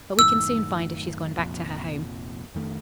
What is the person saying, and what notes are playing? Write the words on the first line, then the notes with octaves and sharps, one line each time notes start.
But we can soon find if she's gone back to her home.
F#2 A2 D#3 E6
F1 A#1 F2
F2 D#3 A3